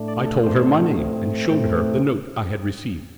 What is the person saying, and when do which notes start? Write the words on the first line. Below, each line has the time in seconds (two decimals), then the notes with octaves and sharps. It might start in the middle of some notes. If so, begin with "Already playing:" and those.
I told her my name, and showed her the note I had received.
Already playing: A2 A3 D4
0.08 D5
0.25 A4
0.43 A2 A3 D4 C5
0.96 A2 A3 C4
1.49 A2 A3 C4 G5